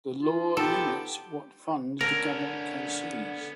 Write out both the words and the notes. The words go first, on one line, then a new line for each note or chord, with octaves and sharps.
The law limits what funds the government can seize.
D#4 F4
B3 G4 A4
D3 B3 C#4 A#4